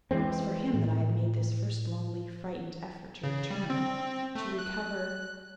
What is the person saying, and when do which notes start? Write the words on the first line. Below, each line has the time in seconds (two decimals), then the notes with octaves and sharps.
It was for him that I had made this first lonely, frightened effort to return, to recover....
0.11 E3 F#3 G#3 C4
0.74 A2
3.24 C#3
3.50 G3
3.70 C4
4.35 A3
4.59 F#6